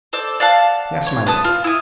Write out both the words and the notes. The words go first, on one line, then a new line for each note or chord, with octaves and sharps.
"Yes, my lord."
A4 C5 D5
D5 F5 F#5 A5
C#5
B3 A5 D#6
F4
E4 D#6